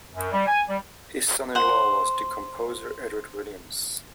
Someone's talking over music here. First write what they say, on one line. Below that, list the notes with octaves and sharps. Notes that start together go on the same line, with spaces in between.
His son in law was the composer Edward Williams.
F#2
G3
G#5
G3
C5 F#5